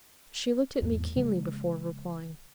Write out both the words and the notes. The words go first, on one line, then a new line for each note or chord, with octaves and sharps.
She looked at me keenly before replying.
E2 G#2 A#3
C#3 F3 G#3 A#3